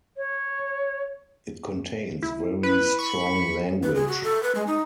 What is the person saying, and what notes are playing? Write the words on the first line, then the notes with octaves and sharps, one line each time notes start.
It contains very strong language.
C#5
E4
B4
B5 C#6
B4
G#4
F#4
A4
B4
G#3
D#4